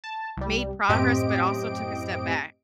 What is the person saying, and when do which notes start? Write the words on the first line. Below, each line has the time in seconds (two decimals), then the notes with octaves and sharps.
made progress, but also took a step back.
0.04 A5
0.37 C2 G3
0.89 F#2 A2 C4 G4 D#5 D7